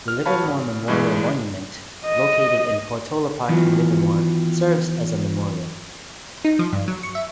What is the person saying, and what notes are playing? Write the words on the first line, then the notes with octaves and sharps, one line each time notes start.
The Livermore Memorial Monument, located in Portola Park in Livermore, serves as a memorial.
F6
F#4 B4 C#5 F5 A5 B5
G#1
G2 E3 G#3
D#5
D#3 E3 F#3 B3 F4
D#4
F3
G2
F#3
C#6
E5